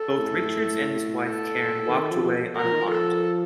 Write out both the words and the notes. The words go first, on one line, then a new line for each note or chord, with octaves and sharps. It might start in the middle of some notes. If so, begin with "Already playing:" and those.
Both Richards and his wife Karen walked away unharmed.
Already playing: A4
A2
A4
D#3
F3
A#4
F3
D#3
F3
A4